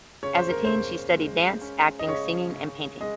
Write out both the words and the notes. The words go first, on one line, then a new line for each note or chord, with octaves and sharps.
As a teen, she studied dance, acting, singing, and painting.
C#3 C#5
C5
A#4
C#3 C5
G#3
C#4
D#5
C#3 C#5
C#3
G#3 D#5